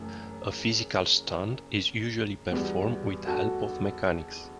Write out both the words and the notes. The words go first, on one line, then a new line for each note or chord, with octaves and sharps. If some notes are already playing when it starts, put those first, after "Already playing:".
A physical stunt is usually performed with help of mechanics.
Already playing: F#1 F#2 E3 A3
E2 B2 G3 B3
F#4 A4